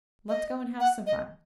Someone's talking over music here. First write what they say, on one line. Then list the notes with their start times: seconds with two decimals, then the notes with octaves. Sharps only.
Let's go and have some fun.
0.29 D#5
0.80 F#5
1.07 D#5